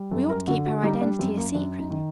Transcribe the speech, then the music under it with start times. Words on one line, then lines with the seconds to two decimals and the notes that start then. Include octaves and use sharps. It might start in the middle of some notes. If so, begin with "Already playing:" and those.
We ought to keep her identity a secret.
Already playing: G3
0.12 F#2 A4
0.29 A#4
0.47 D3 F#4
0.65 F#4
0.83 G3 D#4
1.01 D4
1.19 F#2 C4
1.37 A#3
1.55 F#2 D4
1.79 D#4
1.90 D#3